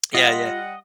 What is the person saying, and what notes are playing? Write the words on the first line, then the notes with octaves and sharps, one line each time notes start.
Yeah, yeah.
G3 F4 D#5 F#5